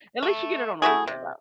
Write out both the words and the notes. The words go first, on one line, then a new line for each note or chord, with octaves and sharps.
At least you get it on the weekend, though.
A3
A3 E4 F#4 G#4
C3